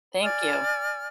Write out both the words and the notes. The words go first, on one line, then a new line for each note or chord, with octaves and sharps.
Thank you.
D5 G#5 F6